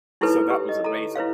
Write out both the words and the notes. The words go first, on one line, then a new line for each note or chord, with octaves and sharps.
So that was amazing.
D#4 E4 G4 A4 B4 C#5
G4
D#5
A4 A#5
E4 B4 C#5 F5